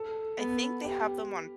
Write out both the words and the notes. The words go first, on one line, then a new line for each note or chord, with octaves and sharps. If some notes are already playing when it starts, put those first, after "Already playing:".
I think they have them on
Already playing: A4
B3
G4